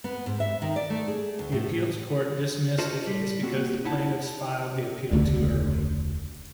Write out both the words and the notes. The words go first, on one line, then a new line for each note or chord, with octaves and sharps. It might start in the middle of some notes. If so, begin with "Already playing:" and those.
The appeals court dismissed the case because the plaintiffs filed the appeal too early.
B3
G#2
E5
D#3
D5
A3
G#4
D2
A2
F4 F#4 A4 C5 D#5
G3
A#3 C4 F#4 G4
D#4 E4 F#5 A5
E1 C#2 D3 A3